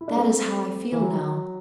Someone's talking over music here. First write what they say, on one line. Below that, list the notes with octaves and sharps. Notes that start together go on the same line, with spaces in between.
That is how I feel now.
E4
D4
A3 C4
E3
F#3